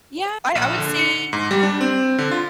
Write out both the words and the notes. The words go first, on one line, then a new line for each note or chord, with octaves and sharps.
Yeah, I I would say
A#1
D3
C#7
G#2
G3
D4
C4
D3
F4